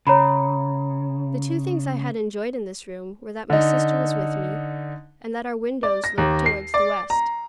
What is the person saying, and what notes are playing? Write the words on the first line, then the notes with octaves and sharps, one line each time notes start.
The two things I had enjoyed in this room were that my sister was with me, and that our windows looked toward the west.
C#3 C#5 A#5 B5
D3 D#4
D5
A#6
D#2
C7
D5
A#5